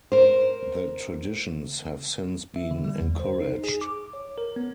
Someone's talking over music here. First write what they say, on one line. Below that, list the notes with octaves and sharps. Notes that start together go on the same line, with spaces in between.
The traditions have since been encouraged.
A#4 C5
E5
D3
G3
E2
C5
D#4
G#4
D6
C#5
A#4
B3